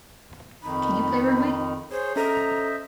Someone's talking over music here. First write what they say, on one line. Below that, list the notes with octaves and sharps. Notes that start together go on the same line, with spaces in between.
Can you play Rugby?
F2 D#3 D#4 B5
G#4 C5 C#5
C#4 A4 C5 D#5 E5 A#5